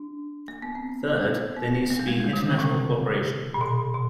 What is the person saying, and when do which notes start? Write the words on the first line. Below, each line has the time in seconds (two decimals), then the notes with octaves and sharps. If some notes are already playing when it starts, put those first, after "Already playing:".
Third, there needs to be international co-operation.
Already playing: D4
0.48 A#3
0.62 B3
0.75 C4
0.89 C#4
1.57 B3
1.90 A#3
1.99 G3
2.08 G#3
2.20 G#3
2.24 G3
2.33 D#3
2.42 D3
2.50 C#3
2.59 C3
3.54 A#2
3.61 B2
3.94 B2